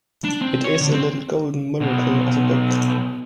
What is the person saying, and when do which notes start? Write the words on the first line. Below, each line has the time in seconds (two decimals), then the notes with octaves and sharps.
It is a little golden miracle of a book.
0.24 D4
0.42 C4
0.64 C#5
0.81 D3
0.92 C4
1.81 B1 B2